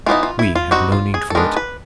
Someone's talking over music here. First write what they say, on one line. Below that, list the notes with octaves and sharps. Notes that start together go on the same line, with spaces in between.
We have no need for it.
E3 G#3 B3 D#4 F4
F4
E4
F4
G3 C4 D#4 F#4
F4
G#4
A4
D#3 G#3 B3 D4 A#4
B4